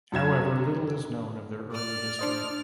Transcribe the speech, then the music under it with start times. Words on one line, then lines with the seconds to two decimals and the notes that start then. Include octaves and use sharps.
However, little is known of their early history.
0.12 F#2 F#3 G#6 E7
1.72 D5 F6
2.19 D4 C5 D#5